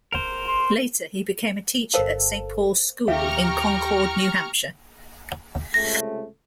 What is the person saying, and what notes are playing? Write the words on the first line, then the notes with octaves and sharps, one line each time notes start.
Later, he became a teacher at Saint Paul's School in Concord, New Hampshire.
A#4 C5
C6
G1 A4 A#4 C5 F5
D#2 G4 E5 F5 A#5 C#6 F6
C#2 C3 A3 A#6